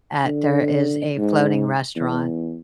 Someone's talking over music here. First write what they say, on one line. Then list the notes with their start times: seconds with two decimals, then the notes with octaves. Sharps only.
at there is a floating restaurant
0.25 D3
1.17 G#2
1.96 E2